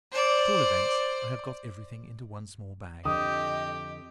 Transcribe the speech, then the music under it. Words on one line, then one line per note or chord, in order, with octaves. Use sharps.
At all events, I have got everything into one small bag.
C5 D5
F2 D3 G4 D#5 D#6